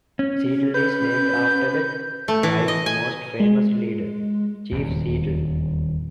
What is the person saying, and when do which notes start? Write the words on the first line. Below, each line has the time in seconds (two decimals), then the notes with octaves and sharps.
Seattle is named after the tribe's most famous leader, Chief Seattle.
0.19 C#4
0.74 B4 G6
2.28 A3
2.43 E3
2.68 D#5
2.86 G#5
3.40 G#3
4.72 D#1 E2